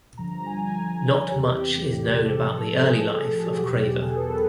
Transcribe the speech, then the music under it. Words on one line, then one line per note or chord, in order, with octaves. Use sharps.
Not much is known about the early life of Craver.
G2 D3 F3 A#5
G#5
C#5
E2 C3 E3 G4
G4
A4
A4
A2 F3
G#4
G4
F#4
E2 B2 F#3 G4
G#4
A4
B4
A#4